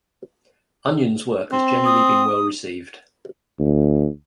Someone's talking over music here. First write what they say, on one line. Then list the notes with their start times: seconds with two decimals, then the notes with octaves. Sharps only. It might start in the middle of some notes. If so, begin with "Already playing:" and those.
Onions' work has generally been well received.
1.52 C4
1.85 D#6
3.59 D2